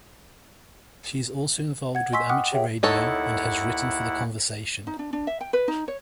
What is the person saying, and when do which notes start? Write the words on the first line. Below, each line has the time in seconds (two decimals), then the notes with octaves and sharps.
She is also involved with amateur radio and has written for The Conversation.
1.95 F#5 G#6
2.13 D#5 G#5 C6 C#6 E6 B6
2.29 F#5 G5 D6 D#6 F6 F#6
2.52 G4 G#4 C#5 E5 G5
2.83 D#2 D#4 E4 A4 C#5 F#5
4.87 D#4
4.99 D4
5.13 D4
5.27 E5
5.41 G5
5.53 B4
5.68 D#4
5.88 C#5